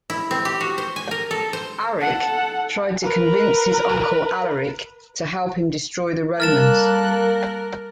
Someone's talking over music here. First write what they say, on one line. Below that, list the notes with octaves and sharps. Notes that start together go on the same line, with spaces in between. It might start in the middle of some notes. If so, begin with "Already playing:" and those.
Aric tried to convince his uncle, Alaric, to help him destroy the Romans.
E4
C4
G4
F#4
C5
G#5
A#4
A4
C5
A4 F#5
A#4 B4
G3 A#3 A4 A#4 F6 F#6 A6 E7